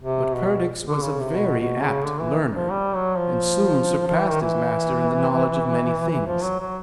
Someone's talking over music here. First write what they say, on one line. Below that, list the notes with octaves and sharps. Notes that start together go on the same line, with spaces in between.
But Perdix was a very apt learner, and soon surpassed his master in the knowledge of many things.
C3
B2
D3
C#3
C3
B2
B2
C#3
D3
E3
F3
G3
F#3
F3
F3
E3
D#3
E3
E3
F3
F#3
F#3